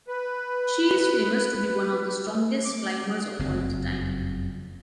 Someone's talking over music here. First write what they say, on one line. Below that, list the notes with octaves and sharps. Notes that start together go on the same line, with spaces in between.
She is famous to be one of the strongest climbers of all time.
B4
D6
F#1 F2 C#3 C4